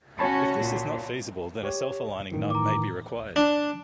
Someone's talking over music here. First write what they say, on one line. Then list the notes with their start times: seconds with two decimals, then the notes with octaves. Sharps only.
If this is not feasible then a self-aligning nut may be required.
0.19 C#4 F#4 C#5 A5 B5
0.58 A#2
1.63 G4 C#5
2.31 A2 D#3 E3
2.50 A#5 D6
3.36 D4